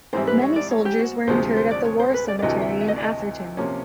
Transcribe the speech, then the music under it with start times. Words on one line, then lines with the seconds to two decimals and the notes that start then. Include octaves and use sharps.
Many soldiers were interred at the war cemetery in Atherton.
0.13 G#2 E3 G3 C4 E4 C5
0.27 B4
0.42 C#5
0.56 D5
0.71 C#5
0.85 G4
0.99 F#4
1.27 D2 C3 F3 G#3 C5
1.56 C5
1.71 D5
1.85 C#5
1.99 C5
2.14 B4
2.28 D5
2.39 D5
2.42 D2 C3 E3 A3 D#5
2.61 E5
2.81 E5
2.88 D#5
2.96 D5
3.04 D#5
3.57 C3 F3 A#3 C#4